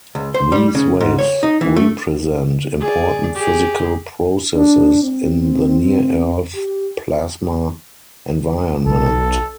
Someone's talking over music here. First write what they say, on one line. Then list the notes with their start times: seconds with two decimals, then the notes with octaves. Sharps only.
These waves represent important physical processes in the near-Earth plasma environment.
0.15 C#2
0.34 C5
0.52 G3
0.75 C#3
1.01 G#2
1.19 C#5
1.43 D#4
1.61 E3
1.76 A3
2.80 G#4 D5
3.35 G4 G#4
4.55 D4
5.02 C4
6.55 G4
8.86 B1 A4